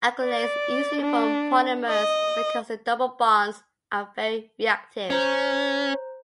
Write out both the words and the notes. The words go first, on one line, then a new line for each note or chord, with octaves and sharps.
Acrylates easily form polymers because the double bonds are very reactive.
D5
D4
D#5
C#4 C5 A#5 G6